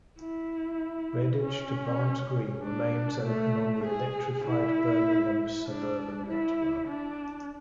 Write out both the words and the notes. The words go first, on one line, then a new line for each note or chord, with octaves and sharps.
Redditch to Barnt Green remains open on the electrified Birmingham suburban network.
E4
C#4
D4
A3
G#4
E4
D4
E4
D4